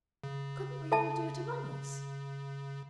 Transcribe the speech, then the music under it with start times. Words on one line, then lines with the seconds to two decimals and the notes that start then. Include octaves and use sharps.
"Couldn't we all do it among us?"
0.24 C#3
0.92 A4 E5 A5